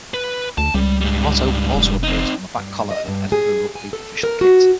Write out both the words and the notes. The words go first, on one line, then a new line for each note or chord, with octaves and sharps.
The motto also appears on the back collar of Edinburgh Rugby official kit.
B4
D2 A5
C#2 G3
G#2 G3
F1
C4 D#4
G2
D#5
G2
G#4
G#5
A4
A#4
F#4